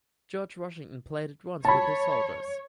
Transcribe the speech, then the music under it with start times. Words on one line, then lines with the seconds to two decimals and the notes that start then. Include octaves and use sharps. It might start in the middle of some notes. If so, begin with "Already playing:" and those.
George Washington played it once with his soldiers.
1.65 C#5 A5 B5